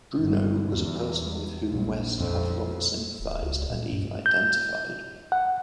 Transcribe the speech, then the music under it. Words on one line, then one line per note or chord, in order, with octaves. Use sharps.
Bruno was a person with whom West had long sympathised and even identified.
G1
E2
A#1
F2
D1
C#2
A#2
G2
G6
F#5